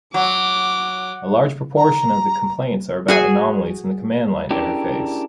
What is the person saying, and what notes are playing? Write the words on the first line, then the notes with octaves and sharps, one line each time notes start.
A large proportion of the complaints are about anomalies in the command line interface.
F#3 D6
A#5
F#4 G#4 G#5
C#4 D4 E4 G4 G#4 A#4